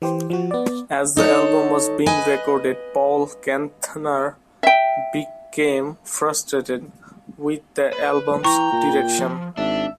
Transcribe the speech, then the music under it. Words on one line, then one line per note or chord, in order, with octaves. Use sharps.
As the album was being recorded, Paul Kantner became frustrated with the album's direction.
E3 G4 C5
F3 F#4
B3 D5
D#4 A4 C#5
B4 D#5 G#5
E5 G5
B4
E3 G5 A#5 C#6
A#2
F3
G#1 D4 E5